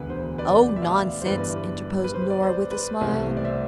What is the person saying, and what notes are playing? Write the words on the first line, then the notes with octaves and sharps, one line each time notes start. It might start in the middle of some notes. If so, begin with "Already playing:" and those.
"Oh, nonsense," interposed Nora, with a smile.
Already playing: E1 D2 D3 B4
C5
B4 D5
E5
D5 F5
C5
G1 G2 E3 B4 D5
B4
C5
D5
C5
B4
C2 C3 E3 A3 C4 C5
D5
C5 E5